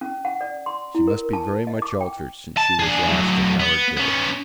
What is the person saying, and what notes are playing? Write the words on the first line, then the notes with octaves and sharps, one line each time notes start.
She must be very much altered since she was last at Howard Grove.
C#4
F#5
D5
C6
E4
A#4
A5
D#5
D6
G5
A5
D4 G#4
A2 F#3
B3
B3 C#4